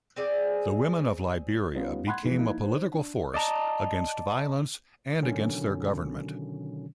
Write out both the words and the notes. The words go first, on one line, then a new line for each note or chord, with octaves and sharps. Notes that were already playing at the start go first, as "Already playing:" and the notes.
The women of Liberia became a political force against violence and against their government.
C4 G#4 D5
G3 B3 C#4 D#4 F4
F#5 B5 C6 F#6 G#6
E3 F3 G#3
A#3 D#4 E4
D#4 C5
D4
D5 D#5 A5 A#5
B2 D3 D#3 F#3 C#4